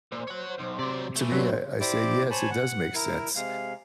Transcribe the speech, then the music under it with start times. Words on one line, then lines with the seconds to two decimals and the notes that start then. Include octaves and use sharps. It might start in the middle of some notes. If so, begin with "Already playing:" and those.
to me, I I say, “Yes, it does make sense,
0.12 A#2 C5
0.27 C#5 F#5
0.58 B1
0.79 C3 F#3 D5
1.16 E3 A3
1.32 F#3 B3 D4 C5
1.80 E4 G4 C5 D5 D6
2.31 C5 C#5 G#5 A5 B5
2.50 F#5
2.95 E4 A#4
3.36 C3 G#3 F5